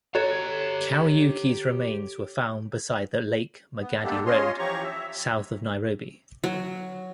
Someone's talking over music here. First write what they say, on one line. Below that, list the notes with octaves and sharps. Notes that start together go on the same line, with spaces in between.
'Kariuki's remains were found beside the Lake Magadi Road, south of Nairobi.
F#4 G4 A4 C#5 A#5
B3
G#3 A#3 B3 D4 G4 A4
C#4 F4 C#5 D#5 C6
E3 F3 G4 C#5 A#5 C#6
E5
F#3